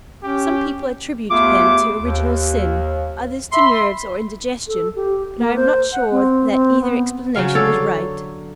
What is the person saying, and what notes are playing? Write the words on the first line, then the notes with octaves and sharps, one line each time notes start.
Some people attribute them to original sin, others to nerves or indigestion; but I am not sure that either explanation is right.
C#4 G4
D#2 A3 B3 F4 G#4 D6
D#2
E5 B5 C6
A4
G4
A#3
C5
F#5
C4
C4
B3
C#3 F#3 F5
D3 A4 C#5